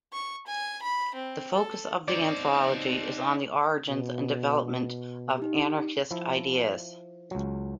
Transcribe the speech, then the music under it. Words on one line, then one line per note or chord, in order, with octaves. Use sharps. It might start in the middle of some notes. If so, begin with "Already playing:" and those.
The focus of the anthology is on the origins and development of anarchist ideas.
C#6
G#5
B5
C4
A4
C4 D#4 C#5 D5
B2
D#4 G4
F3 E4
C#2 F#3